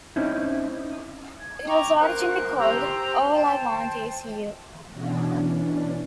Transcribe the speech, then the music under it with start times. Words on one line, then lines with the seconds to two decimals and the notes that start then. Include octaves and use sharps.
It was originally called "All I Want Is You".
0.16 C4 C#4 D#4 E4
1.40 G#6
1.68 G5 A#5 C#6 D6
2.00 A#4 C5 F#6
2.58 G4 C5 A#5 E6
3.33 C5 G5 A5
4.93 B2 E3 C#4 D4